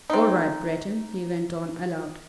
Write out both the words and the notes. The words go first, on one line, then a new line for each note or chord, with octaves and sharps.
"All right, Breton," he went on aloud.
C4 D#4